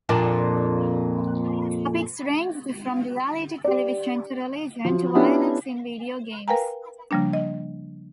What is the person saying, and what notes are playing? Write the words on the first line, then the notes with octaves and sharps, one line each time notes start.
Topics ranged from reality television to religion to violence in video games.
F2 A#2 D4
G4 D5
F3 F#3
B3 C#4 D4 E4 F4 G4
A#4 B4 F5 G5 G#5 A#5
C#3 F3 G3 A#3 D4
D#5